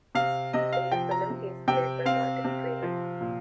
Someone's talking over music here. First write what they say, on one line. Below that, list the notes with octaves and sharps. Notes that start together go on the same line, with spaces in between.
In the film he is played by Martin Freeman.
C3 F5
C3 D#5
F5
F3 G5
A#5
C3
C3 G5
C4 F5
C3
F3
A#2